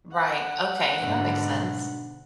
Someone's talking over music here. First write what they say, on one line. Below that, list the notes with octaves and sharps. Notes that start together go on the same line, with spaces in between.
Right. Okay, that makes sense.
F#5
G#2 B2 D3